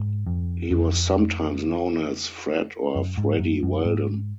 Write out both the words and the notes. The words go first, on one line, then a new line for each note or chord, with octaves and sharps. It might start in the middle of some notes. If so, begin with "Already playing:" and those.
He was sometimes known as Fred or Freddie Wheldon.
Already playing: G#2
F2
F2
F#2
G#2
F#2
F#2
G#2